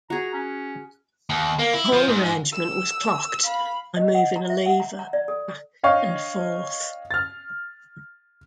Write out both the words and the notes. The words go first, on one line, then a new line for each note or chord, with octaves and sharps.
The whole arrangement was 'clocked' by moving a lever back and forth.
F#4 G#4 A#5
C#4
D#2
A#3
E4
F3
G#2
E6
F5 B5
D#5
F#5
A#5
E5
F#5
A#5
A#5
D5
A4
D4 C#5 D#5 F5 G5 C#6
F6 A6